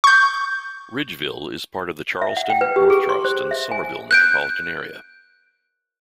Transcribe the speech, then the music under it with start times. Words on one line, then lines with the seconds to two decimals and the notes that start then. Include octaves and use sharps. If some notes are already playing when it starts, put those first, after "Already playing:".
Ridgeville is part of the Charleston-North Charleston-Summerville metropolitan area.
0.04 C#6 G6
2.22 E5
2.37 F#5
2.50 G5
2.61 B4
2.76 G4
2.90 G#4
3.10 C6
3.25 C5
3.51 E5
3.72 G#5
4.11 F#6 G6 D7